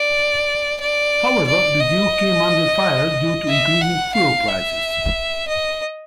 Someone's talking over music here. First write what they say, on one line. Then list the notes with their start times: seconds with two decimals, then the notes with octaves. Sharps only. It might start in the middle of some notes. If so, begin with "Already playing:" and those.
However, the deal came under fire due to increasing fuel prices.
Already playing: D5
0.81 D5
1.48 D5
1.81 D#5
3.48 E5
3.81 F#5
4.14 F5
4.48 E5
5.48 D#5